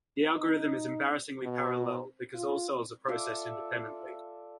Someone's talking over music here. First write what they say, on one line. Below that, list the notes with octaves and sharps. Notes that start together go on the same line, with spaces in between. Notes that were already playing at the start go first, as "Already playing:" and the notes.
The algorithm is embarrassingly parallel, because all cells are processed independently.
D#4
B2
F4
F4 A4 D5 E5